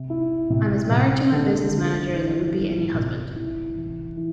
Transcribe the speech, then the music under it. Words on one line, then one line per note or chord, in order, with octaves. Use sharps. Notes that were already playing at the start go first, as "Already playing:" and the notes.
I'm as married to my business manager as I would be any husband.
Already playing: C3
E4
C3
C3
D3
D3
E3
E3
C3
E4
E3
E3